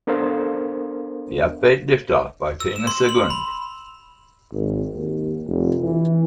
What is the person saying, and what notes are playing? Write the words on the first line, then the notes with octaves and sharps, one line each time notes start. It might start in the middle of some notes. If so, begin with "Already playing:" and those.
The upbeat "Lift Off" by Tina Sugandh.
B3 D4 A4 A#4 C5 F5
E6
E7
C6
F#7
B5
G#1
D#2
F1
E3